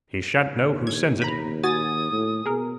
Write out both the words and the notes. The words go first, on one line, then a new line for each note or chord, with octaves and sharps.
'He shan't know who sends it.
D#2
G#6
A#5 B5
F#4 G#5 D#6 A6
A2
B2 G#4 A#4